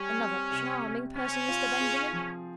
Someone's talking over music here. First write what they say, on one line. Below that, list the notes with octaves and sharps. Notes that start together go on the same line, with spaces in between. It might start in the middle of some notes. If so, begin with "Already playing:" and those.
Another charming person, Mr. Benjamin!
Already playing: G3 C#4
C4
C3
C3
C4 C#4
F4
G#4
F3